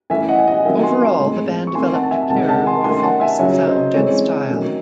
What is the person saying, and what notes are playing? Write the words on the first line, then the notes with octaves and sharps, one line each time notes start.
Overall, the band developed a clearer, more focused sound and style.
E3 A3 C#4 E5 G#5
D#5 F#5
G#5
D#5 F#5
D#3 F#3 C4 E5 G#5
G#5 C6
G#5 C6
A2 G#3 C4
C#6
D#3 A3 C4 G#5 C6
F#5 A5
A5
E5 G#5
C3 D#3 G#3 F#5 A5
F#5 A5
G#5 C6
D#3 A3 C#4 G#5 C6
F#5 A5
E5 G#5
C#3 F#3 C#4 C#5 E5
C5 D#5
E3 G#3 C4 A4 C#5
D#3 F#3 A3 C#4